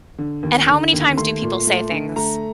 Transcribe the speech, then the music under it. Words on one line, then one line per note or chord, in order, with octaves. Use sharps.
And how many times do people say things
D3
D#2
D3
D#2
A3 C6
A#2
A3
D3
A3 A#5